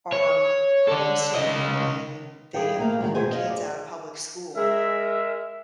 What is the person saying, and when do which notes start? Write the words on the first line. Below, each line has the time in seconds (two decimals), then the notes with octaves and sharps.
are homesteading and they have pulled their kids out of public school,
0.12 C#5
0.87 A4 D5
1.35 C#3 D#5
2.54 G3 E4 G#4 A4 F5 G5
2.78 A3 A#3 F5
3.00 D#3 F#3 G#3
3.15 F2 B2 E3 G#4 C5 G#5
3.31 F4 D#5
3.50 G#4 D5
4.56 G#3 A#4 E5